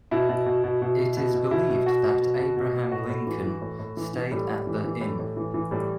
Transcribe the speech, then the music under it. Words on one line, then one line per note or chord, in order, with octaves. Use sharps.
It is believed that Abraham Lincoln stayed at the Inn.
B2 E4
B2
B2
B2
B2
B2
B2
B2
B2 E4
B2
B2 F#4
B2
B2
B2
B2
B2
A2 F#4
A2
E3
E3
A2
A2
E3
E3
A2 G3
A2
E3
E3
A2
A2
E3
E3
A2 G3